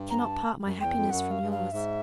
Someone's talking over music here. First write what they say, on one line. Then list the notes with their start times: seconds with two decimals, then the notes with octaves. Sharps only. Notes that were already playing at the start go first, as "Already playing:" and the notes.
I cannot part my happiness from yours.
Already playing: G2
0.10 A#5
0.19 A5
0.65 F#2
0.81 E2 G5
0.96 F2
1.05 G2
1.11 F#2 F#5
1.31 F5
1.42 G2
1.52 F5
1.72 G#2 E5